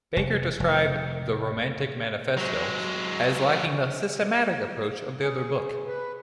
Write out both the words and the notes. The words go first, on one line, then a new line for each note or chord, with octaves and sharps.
Baker described "The Romantic Manifesto" as lacking the "systematic" approach of the other book.
F1
F1
F#3 G#3
G#4
B4